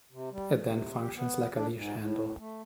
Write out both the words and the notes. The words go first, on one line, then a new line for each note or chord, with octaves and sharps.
It then functions like a leash handle.
C3
G3
C3
G4
B3
D4
G#2
A2
A3